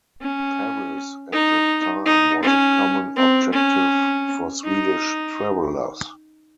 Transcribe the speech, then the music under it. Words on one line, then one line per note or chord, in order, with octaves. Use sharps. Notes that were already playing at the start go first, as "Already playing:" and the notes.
Paris at that time was a common objective for Swedish travelers.
C#4
D#4
D#4
C#4
C4
C#4
D#4